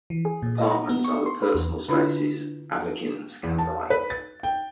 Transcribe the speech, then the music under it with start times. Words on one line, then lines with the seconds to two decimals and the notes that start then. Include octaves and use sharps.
Apartments are the personal spaces Avakins can buy.
0.10 E3
0.25 G#4
0.42 A#2
0.58 D#5
0.71 A#5
0.89 B3
1.04 C#6
1.26 C6
1.42 B4
1.55 E2
1.89 D3 D4 E4 F4 B4 B5
3.43 E2
3.58 A5
3.90 B4
4.10 A6
4.43 G5